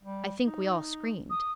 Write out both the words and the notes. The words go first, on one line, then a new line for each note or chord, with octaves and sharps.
I think we all screamed.
G3
D#4
D#6